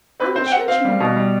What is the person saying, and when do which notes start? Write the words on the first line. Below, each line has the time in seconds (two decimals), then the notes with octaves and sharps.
I'm a church member.
0.20 C4 B4
0.36 C4 C5
0.47 G5
0.52 C4 F#5
0.68 C4 F5
0.85 G3
1.00 B2
1.16 G3